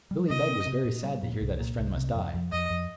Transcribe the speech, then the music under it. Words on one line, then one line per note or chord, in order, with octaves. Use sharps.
Billy Beg was very sad to hear that his friend must die.
G3
C3 D#5
C4
C3
A#2
G3
A#2
C2
A#2
C2
C3
F2
F2
F2 D#5
F2